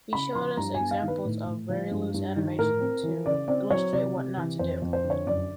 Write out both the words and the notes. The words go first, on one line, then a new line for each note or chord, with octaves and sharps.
He showed us examples of very loose animation to illustrate what not to do.
C#3 B5
F3 C6
G2 A#5
G#5
B3
F5
D#3
B4
A2
A2
F3
G2
G2
D#3
A2 A#4
C4
E3
C#3 D5
C4 D5
F#3 C#5
C3 D5
C3
E3
F2 C5
F2
C5
D3
C#5
F#2 D5